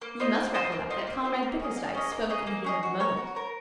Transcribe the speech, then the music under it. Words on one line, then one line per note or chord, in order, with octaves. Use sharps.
You must recollect that Comrade Bickersdyke spoke in the heat of the moment.
A#3
F4 C5 D#5
A#3
F4 C5 D#5
A#3
F4 C5 D#5
A#3
F4 C5 D#5
A#3
C#4 G#4 D#5
A#3
C#4 G#4 D#5
A#3
C#4 G#4 D#5
A#3
C#4 G#4 D#5
F#4
A#4 C#5
F#4
A#4 C#5